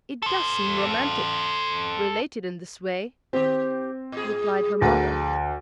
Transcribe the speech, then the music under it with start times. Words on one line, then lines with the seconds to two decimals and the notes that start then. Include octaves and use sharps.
"It does seem romantic, related in this way," replied her mother.
0.22 A4 C5
3.33 D#3 C4 G4
4.12 A2 G#4
4.81 D2 F3 A#4 B4